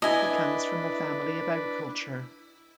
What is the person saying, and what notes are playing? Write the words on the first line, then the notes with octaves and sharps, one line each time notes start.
He comes from a family of agriculture.
D4 E4 B4 D#5 G#5